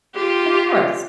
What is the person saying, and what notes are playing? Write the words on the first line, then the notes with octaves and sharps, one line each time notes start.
Of course.
F4 G4